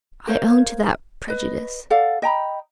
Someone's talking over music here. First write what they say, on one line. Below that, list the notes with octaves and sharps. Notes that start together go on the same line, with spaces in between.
I own to that prejudice.
A#4 C5 C#5 F5
B4 D#5
A4 D5 F5 F#5
D#5 G5 A#5 B5